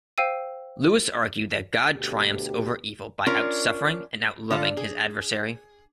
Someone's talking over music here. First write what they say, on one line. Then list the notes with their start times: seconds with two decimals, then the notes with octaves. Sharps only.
Lewis argued that God triumphs over evil by outsuffering and outloving his adversary.
0.18 C5 F5 G5 E6 D#7
1.97 D2 B2 G4
3.26 C#4 D4 F4 A#4 C#5
4.50 D3 F4 A4
4.77 G#4